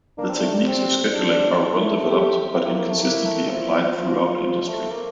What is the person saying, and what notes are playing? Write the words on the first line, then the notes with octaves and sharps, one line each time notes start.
The techniques of scheduling are well developed but inconsistently applied throughout industry.
A#3 D4
C4
A3
G3
G3 C4
D4
A3 E4
G4
C4 E4
A#3
A#3
A3
A#3 E4
A3
F3 E4
F4
F3
A3
A#3